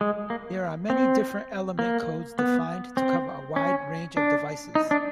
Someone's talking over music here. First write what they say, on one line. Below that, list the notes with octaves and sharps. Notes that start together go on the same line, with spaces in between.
There are many different element codes defined to cover a wide range of devices.
G#3
A#3
C4
A#3
B3
C4
C#4
D4
D#4
D4